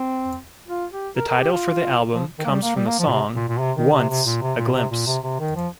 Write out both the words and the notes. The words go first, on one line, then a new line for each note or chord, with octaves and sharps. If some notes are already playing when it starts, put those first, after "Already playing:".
The title for the album comes from the song "Once, a Glimpse".
Already playing: C4
F4
G4
A#4
A#4
G4
F4
F3
D#3
A#3
G3
A#3
G3
A#3
F3
A#2
C3
A#2
A#2
C3
D#3
C3
C3
A#2
C3
A#2
C3
A#2
C3
C3
D#3
F3